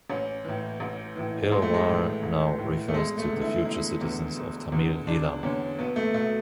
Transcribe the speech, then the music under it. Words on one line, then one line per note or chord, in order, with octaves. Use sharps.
Eelavar now refers to the future citizens of Tamil Eelam.
A1 C#4
A2 E3
A1
A2 E3
A1 G#3
A3
G#3
A2 E3
A1
A2 E3
A3
E1 G#3
A3
E2 D3
E4
E1 E4
E2 D3
E1
E2 D3
E1 D4
E2 D3 C#4
B1 B3
A3
B2 A3